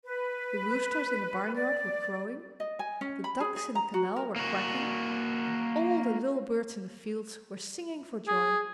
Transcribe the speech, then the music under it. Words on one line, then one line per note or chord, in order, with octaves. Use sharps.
The roosters in the barnyard were crowing, the ducks in the canal were quacking, and all the little birds in the fields were singing for joy.
B4
D5
D#5
G#5
C#4
B5
G#4
G#4
A#5
F#4
A#4
A#3 F#4
G#4